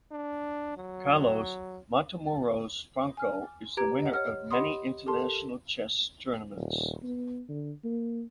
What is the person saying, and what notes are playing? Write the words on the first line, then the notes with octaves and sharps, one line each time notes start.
Carlos Matamoros Franco is the winner of many international chess tournaments.
D4
F#3
G#5 F6
G4 B4 A#5 G#6 D7
D#5 F#5
C#5 F#5 F6
G4 D#5 F#5 B5 C6 D#6
G4 A4 A#4 A5 C6
D#1
B3
D3
A#3